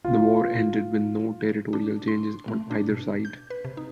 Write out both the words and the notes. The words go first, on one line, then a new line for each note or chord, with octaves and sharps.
The war ended with no territorial changes on either side.
F4
D4
C6
A3
D4
B2
G6
B4
C3
D#4